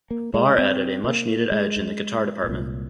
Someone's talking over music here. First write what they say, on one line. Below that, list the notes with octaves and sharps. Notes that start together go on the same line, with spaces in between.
Barr added a much needed edge in the guitar department.
A#3
G#3
C4
A#3
G#3
C2 A#2